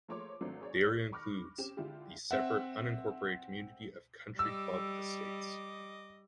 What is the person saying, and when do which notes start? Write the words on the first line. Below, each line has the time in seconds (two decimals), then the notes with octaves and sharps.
The area includes the separate unincorporated community of Country Club Estates.
0.08 F3 A3 A#3 C#5 C6 D6
0.41 G#1 F#3 A3 C4 D4
0.61 G#4 C#5 D5
1.12 B5 C#6 D6 F6 F#6 A#6
1.58 C4 C#4 G4 E7
1.77 D3 G#3 E4 F4 G4
2.31 C4 E5 F#5
4.39 G3 D#5 D6 E6